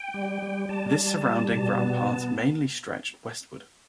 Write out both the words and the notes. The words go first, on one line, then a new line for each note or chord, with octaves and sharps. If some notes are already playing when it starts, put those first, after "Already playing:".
This surrounding rampart mainly stretched westward.
Already playing: G5
G3
G3
G3 A5
G3
G3
B2 A5
B3